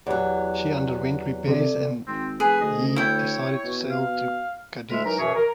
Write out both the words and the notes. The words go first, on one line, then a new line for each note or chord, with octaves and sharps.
She underwent repairs there and he decided to sail to Cadiz.
E2 F#3 G4 C#5 D5
C3 A4 D5
G#1 C4
F1 G#4 B4
D2 D#5
E4 C#5 G5
B2
F5
D2 G#3 E5 B5 F6
E3 F#3 D#4 A#4
F#2 B2 E3 G#4 C#5 E5
A#4